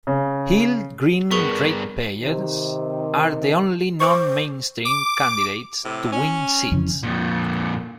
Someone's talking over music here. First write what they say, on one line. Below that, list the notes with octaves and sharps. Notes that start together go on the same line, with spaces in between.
Heald Green Ratepayers are the only non-mainstream candidates to win seats.
C#3
G2 B3 G#4 A#4 C#6
C3 D#3
C5 C#6 D6
D6
A2 C3
C#4
F2 C#3 E3
F2 A#2